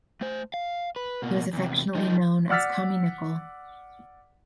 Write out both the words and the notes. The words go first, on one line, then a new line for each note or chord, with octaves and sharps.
He was affectionately known as Tommy Nicol.
A3 C5
F5
B4
B2 A#3
E2 C3
F3 D#4
D5 F#5 E6 F6 A6 B6